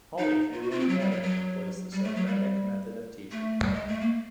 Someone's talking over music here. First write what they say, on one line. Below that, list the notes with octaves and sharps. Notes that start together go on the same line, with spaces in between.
Holy Family Academy employs the Socratic method of teaching.
D#4
F4
F#4
F4
C4
F#3
G3
F#3
F#3
G3
A3
F#3
G3
A3
G3
G#3
A3
A#3